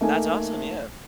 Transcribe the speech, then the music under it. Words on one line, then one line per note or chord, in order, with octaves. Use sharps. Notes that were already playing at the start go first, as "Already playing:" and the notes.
That's awesome, yeah.
A3 A#3 D#4 A4 G#5